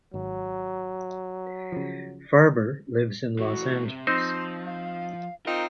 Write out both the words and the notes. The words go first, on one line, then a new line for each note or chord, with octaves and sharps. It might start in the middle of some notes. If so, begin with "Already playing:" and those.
Farber lives in Los Angeles.
G#1 F#3
C#3 F3
E3 A3 F#4
C3
F3 C4 D#4 C5 C6
F5
C4 D#4 F4 A#4